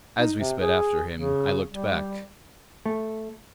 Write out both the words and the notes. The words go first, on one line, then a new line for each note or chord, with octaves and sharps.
As we sped after him I looked back.
D#4
C3
G#4
C#3
G3
A3